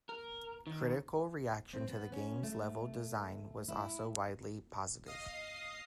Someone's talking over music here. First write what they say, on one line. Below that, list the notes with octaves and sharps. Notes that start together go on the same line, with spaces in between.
Critical reaction to the game's level design was also widely positive.
A#4
D#3
C4
B3
C#4
A3
E4
D#5 F5 D#6 A#6 C7